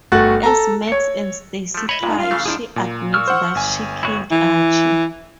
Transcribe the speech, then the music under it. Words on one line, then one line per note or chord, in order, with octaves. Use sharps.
As Max and Stacey cry, she admits that she killed Archie.
G1 A3 F#4 F#6 A6
A4 A#5
C#5 C#7
F3 A3
C#5 D#5 E5 B5
G2 A#2 G#3 D#4 F4
F4 F5
C#3 E3 A3
G#2 F3 D4 E4 G#4
A#2
C#6 E6 F6
C5 F#5
G1 G#5
E4 F#4 C#5
E3